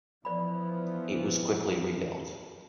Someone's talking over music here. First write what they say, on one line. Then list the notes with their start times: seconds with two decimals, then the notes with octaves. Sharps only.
It was quickly rebuilt.
0.25 E3 F3 B3 D5 B5